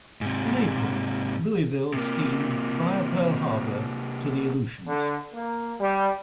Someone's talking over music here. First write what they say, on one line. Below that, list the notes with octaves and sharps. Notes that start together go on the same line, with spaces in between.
In April, "Louisville" steamed, via Pearl Harbor, to the Aleutians.
G#2 C3
C3 A#3
D3
A#3
G3